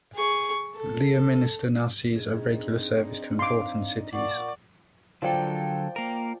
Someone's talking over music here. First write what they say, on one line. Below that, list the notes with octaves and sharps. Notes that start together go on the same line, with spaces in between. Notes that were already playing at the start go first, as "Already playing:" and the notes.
Leominster now sees a regular service to important cities.
G#4 C#6
A4
C4 D4 D#4 G#4
F5 C6 D6
A#2 D5 F#5 C#6
D3 F3 F#3 A4 D5 G5
A#3 A#4